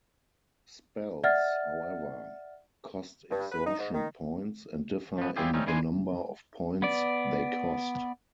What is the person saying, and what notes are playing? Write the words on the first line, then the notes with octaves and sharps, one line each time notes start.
Spells, however, cost exhaustion points and differ in the number of points they cost.
D5 E5 F#5 F6 A6
G2
B4
D#4
G#2
D#3
F3 B3
G3 C4 E4 F4 G4 G#4
A2 G3 A3 C4 C#4 D#4
D#3 E3 D4 E4 G#5 C6
B3 D5